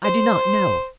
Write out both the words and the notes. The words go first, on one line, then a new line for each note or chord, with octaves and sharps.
"I do not know."
C5